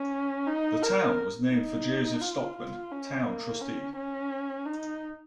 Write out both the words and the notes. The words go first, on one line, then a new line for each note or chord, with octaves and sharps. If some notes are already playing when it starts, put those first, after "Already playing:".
The town was named for Joseph Stockham, town trustee.
Already playing: C#4
D#4
A#4
D#4
F4
F4
C#4
A#3
C#4
C#4
D#4